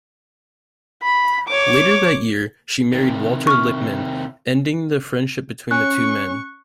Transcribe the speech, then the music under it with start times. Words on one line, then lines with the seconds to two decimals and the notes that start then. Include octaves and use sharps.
Later that year, she married Walter Lippmann, ending the friendship between the two men.
1.03 B5
1.48 C#5 D6
2.92 C3 D#3
3.47 C#6 F6
5.71 C#4 C#6 F#6